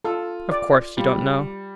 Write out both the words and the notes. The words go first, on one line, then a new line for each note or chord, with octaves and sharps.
"Of course you don't know."
F4 A4
D5
G3 F4